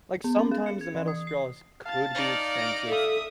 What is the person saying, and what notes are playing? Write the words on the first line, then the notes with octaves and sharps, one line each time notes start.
like, sometimes the metal straws could be expensive.
B3
C#4
G#4
C#7
G#6
E3
D#6
C7
F5 A5 A6
D#4 D5
A#6 D7
A4 E5 D#6